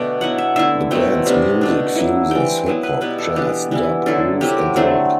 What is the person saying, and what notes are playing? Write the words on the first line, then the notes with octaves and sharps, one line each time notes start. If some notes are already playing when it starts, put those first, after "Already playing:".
The band's music fuses hip hop, jazz, dub, groove and rock.
Already playing: B2 D3 A3 D4 G5
F#3 B3 E4 F#5
E5
D3 A3 E4 E5
B2 F#3 A3 C4 G5
C3 G3 B3 D4
B2 A3 D4
F#3 A3 E4
E3 G3 C4 G5
F#3 B3 E4
B4
B2 G3 B3 E4 B4
A4
E3 B3 D4 G4
E3 G3 B3 E4
D3 F#3 A3 E4 A4
C3 F#3 C4 E4 G4
D3 F#3 A3 C4